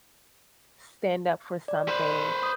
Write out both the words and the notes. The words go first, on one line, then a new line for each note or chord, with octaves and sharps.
stand up for something,
D5
B4 C5
D#6 G6